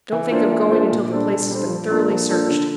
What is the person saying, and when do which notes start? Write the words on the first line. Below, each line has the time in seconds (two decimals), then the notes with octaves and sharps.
Don't think of going until the place has been thoroughly searched.
0.12 E3
0.31 A#3 D4 F4 C5
0.51 E3
0.71 A#3 D4 F4 C5
0.91 A#2
1.10 G3 D4 A4 C5
1.31 A#2
1.51 G3 D4 A4 C5
1.70 F3
1.90 A#3 D4 F4 A4
2.10 F3
2.29 A#3 D4 F4 A4
2.50 D3